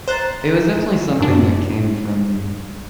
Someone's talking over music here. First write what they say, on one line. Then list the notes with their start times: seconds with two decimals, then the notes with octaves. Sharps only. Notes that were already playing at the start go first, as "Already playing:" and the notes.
it was definitely something that came from
0.08 C5 A#5 F#6 A6
1.20 F#2 D4